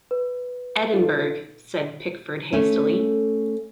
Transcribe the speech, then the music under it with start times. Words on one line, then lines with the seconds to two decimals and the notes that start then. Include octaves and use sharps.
"Edinburgh," said Pickford hastily.
0.11 B4
0.93 D#4 F4 A4
2.53 A3 C#4